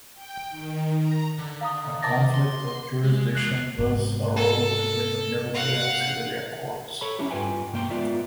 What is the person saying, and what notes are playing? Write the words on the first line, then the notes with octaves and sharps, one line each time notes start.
A conflict of jurisdiction thus arose between the military and civilian courts.
G5
D#3
A#5
D3
F5 A#5 D#6
D#3 D6 A6 A#6
C6
G#3
E2 G#3 F#6 C7
G#2 C3
A4
F5 F#5
A4 C#5 B5
C#4 D4 E4 G4
G2 F3 F4 B4 G5 G#5
B1 G2 A#3 C5 G5 C6
G#3 B3 F4 D5 E5